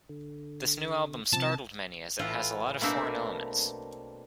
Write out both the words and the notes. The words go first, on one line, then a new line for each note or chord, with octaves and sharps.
This new album startled many, as it has a lot of foreign elements.
D3
A2 C3 F3 A5
A2 E3 F4
B2 A3 A#3 C4 D4 E5